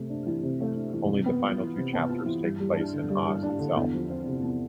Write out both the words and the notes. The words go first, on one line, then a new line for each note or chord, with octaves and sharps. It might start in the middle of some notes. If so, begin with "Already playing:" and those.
Only the final two chapters take place in Oz itself.
Already playing: C3 A3
D4
E3
C3
A3
D4
E3
C3
B3
F4
E3
C3
B3
F4
E3
G2
G3
D4
D3
G2
G3
D4
D3
E2
F3
C4
C3
E2